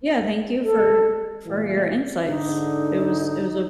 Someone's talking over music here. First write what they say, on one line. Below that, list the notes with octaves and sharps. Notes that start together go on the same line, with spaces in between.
Yeah, thank you for for your insights, it was it was a
A4
A#2 E3 G#3
G#2 D3 D#4